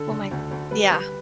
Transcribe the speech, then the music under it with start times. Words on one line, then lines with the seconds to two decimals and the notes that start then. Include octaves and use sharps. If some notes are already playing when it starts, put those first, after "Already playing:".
Oh, my g yeah.
Already playing: D3 A4
0.11 D3
0.31 D2
0.51 D2
0.71 G3 B4
0.91 G3